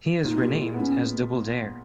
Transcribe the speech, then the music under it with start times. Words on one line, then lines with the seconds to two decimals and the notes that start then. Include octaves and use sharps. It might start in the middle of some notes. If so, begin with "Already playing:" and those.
He is renamed as Doubledare.
0.24 A#2 D#4
0.43 G4
0.49 G#3
0.62 E4
0.74 B3
0.80 C#4